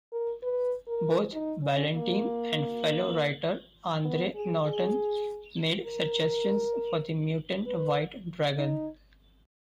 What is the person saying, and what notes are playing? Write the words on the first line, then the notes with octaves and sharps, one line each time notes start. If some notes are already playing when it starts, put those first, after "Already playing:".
Both Ballantine and fellow writer Andre Norton made suggestions for the mutant white dragon.
A#4
B4
A#4
D#4
C#4
A#3
B3
G#4
G#4
A#4
B4
D#4